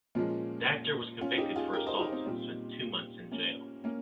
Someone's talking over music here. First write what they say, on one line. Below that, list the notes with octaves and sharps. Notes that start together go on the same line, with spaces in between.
The actor was convicted for assault and spent two months in jail.
A#2 F3 G#3 A#3 C#4
C#4 F4
D#4 G4
F4 G#4
G4 A#4
C5 D#5
D#4 G4
C4 D#4
A#2 G3 C4
A#3 C#4
A#3 C#4